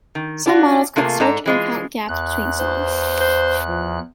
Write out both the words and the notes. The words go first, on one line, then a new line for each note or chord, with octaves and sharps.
Some models could search and count gaps between songs.
D#3
D4 F4 F#4
C3 A3 A#3 F4 G#4
G#2 D4 A4 A#5
E3 G#3 F4
E2 F#6
C5
C5
F3